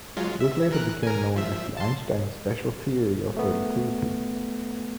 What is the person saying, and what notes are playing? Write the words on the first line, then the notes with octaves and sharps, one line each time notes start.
This later became known as Einstein's special theory of relativity.
F#3 G#3 F4
E5
E3 A#4 F#6
A#4 G#5
F3 E5
A5 C6
A3 B3